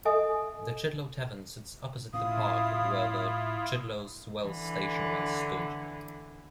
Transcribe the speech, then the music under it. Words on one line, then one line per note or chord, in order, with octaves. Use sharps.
The Chidlow Tavern sits opposite the park where the Chidlow's Wells Station once stood.
A4 D#5 E5 G#5 D#6
A2 C#4 E4 F4 F5 D#6
D3 E3